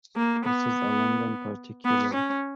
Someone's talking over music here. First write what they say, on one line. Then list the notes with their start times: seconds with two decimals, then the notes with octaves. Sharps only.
This is a London particular.
0.16 A#3
0.45 B3
1.85 B3
2.14 C#4